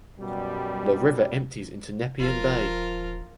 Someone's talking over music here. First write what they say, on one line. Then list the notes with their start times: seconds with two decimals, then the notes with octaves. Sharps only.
The river empties into Nepean Bay.
0.20 F#2 B2 G3
2.19 D#1 F3 F4 A#4